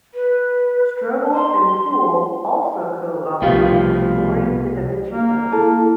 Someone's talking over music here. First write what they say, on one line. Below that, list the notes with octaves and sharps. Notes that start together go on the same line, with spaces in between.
Strobel and Poole also co-authored "Exploring the Da Vinci Code".
B4
C6
C2 B2 F3 A3 F4 G4 F5
A#3
E4 A4